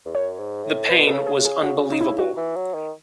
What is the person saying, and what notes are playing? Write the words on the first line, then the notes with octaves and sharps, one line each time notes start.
The pain was unbelievable.
E2
F#2 C#5
G#2
A2
B2 B4
B2 A4
C#3
G#4
C#3
G#4
C#3 F#4
D#4
E4
F#4
E3
F#3
D#3